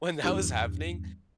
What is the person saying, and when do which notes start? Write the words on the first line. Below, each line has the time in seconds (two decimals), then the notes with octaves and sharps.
when that was happening
0.24 E2 G2